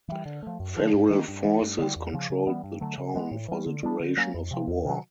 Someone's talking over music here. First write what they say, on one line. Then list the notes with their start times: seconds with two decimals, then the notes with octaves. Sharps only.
Federal forces controlled the town for the duration of the war.
0.08 E3 G3
0.26 D3
0.43 F3 A3
0.60 F#2
0.77 D3 F3
0.94 G#2
1.10 D#3 F#3 A#3
1.28 G2
1.44 E3 G#3
1.62 G2
1.79 D3 G3
1.96 E2
2.13 C#3 F3
2.30 C#3
2.47 E3 G3 B3
2.64 G2
2.81 D3 F#3 A3
2.98 C#3
3.15 E3 G#3 B3
3.31 A2
3.48 E3 G3
3.66 D3
3.83 G3 B3 D4
4.00 D3
4.17 F#3 A#3 C#4
4.34 F2
4.51 C3 F3
4.68 E2
4.85 C3 D#3 F#3